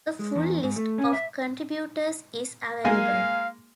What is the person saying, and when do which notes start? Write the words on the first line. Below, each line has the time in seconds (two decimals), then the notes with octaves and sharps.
A full list of contributors is available.
0.19 G#3
0.36 E2
0.63 G#2
0.76 A3
0.98 C#4
1.13 E5
2.85 G#3 A#3 F5 G#5